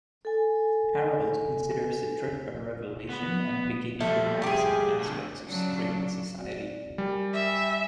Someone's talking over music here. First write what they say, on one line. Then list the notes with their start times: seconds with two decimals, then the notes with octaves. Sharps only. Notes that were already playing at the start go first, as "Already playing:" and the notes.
Harold considers the trip a revelation and begins renouncing aspects of "straight" society.
0.25 A4 G#5
3.10 B3 B4
4.01 F3 G3 A3
4.44 G4 G#4
5.01 A2 D3
5.44 C#3 F#3 D4
6.35 C4 F#4 D5
6.98 G3 A#4 D5 G#5
7.33 E5 G#5